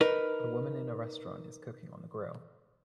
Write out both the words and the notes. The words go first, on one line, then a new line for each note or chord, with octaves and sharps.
A woman in a restaurant is cooking on a grill.
D#4 A#4 B4